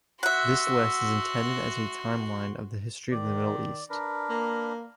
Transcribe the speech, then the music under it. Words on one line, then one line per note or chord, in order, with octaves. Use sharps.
This list is intended as a timeline of the history of the Middle East.
F#4 E5 F#5 C6
D#3 D5
D4 A#4 B4
A#3